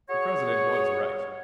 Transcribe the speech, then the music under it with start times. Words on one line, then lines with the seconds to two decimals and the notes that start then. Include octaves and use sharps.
The president was right.
0.09 F#4 G#4 C#5